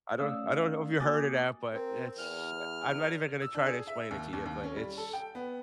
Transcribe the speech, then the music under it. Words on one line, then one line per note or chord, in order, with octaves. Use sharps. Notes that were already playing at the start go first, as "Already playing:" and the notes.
I don't I don't know if you heard of that, but it's, eh I'm not even gonna try to explain it to you, but it's,
A3 C#4 D5 F5 D#6 E6
A#3 F#4 G#5 D6 D#6 A6
C4 A#4
E2 F6
E6
D4
G#4
E5
D#2
D#2
D#2
C#4
G3
A4
G5
B3